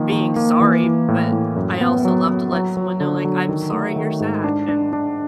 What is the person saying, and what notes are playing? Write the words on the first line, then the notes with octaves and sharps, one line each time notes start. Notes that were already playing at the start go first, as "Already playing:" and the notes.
being sorry, but I also love to let someone know, like, "I'm sorry you're sad," and
Already playing: D#3 F3 A#3
D#3
A#3
E3
E3
A2
A2
F#2
B3
F#3
F#3
F#3
F#3
D3
F#3
D#3
A3
D#3
G#2
D4
D4
D4